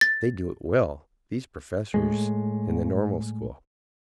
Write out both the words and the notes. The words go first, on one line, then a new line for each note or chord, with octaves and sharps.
They do it well, these professors in the Normal School!
A6
A2 G#3